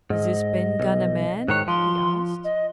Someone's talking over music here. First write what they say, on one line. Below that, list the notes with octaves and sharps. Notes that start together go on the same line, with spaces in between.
"Is this Ben Gunn a man?" he asked.
G#2 D#5
B1
G#2 D#3 C#5 F#6
F3 C6
D#5